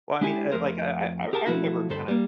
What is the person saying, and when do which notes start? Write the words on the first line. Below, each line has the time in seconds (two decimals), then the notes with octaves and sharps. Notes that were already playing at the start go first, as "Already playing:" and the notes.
Well, I mean, uh, like, uh, I I I remember kinda
0.21 G#3 D4 E4 G4 G#5
0.51 F2 A#2 A3 A#4 C5
1.33 G4 G#4 A#4 F#5 A5
1.46 B1 F3 A3 E4 F#4 B5
1.89 D2 G2 A4 C5 B5
2.08 G3 A#3